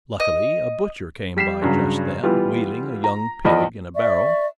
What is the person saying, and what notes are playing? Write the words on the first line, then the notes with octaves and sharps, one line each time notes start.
Luckily a butcher came by just then, wheeling a young pig in a barrow.
D#5
G3 B6 C7 E7
G2 C#3 F#3
E3 G3 B3 F4
A#5
E2 F3 D5 D#5 B5
D5 E5 C#6